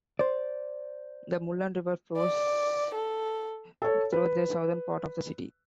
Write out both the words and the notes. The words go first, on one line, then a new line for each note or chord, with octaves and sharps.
The Mulan River flows through the southern part of the city.
C5 D5
D5
A4
A4 C#5
B4